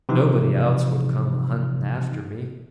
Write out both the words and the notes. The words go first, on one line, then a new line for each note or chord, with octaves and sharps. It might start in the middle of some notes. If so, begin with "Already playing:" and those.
Nobody else would come a-hunting after me.
C3 E3 F3 D#4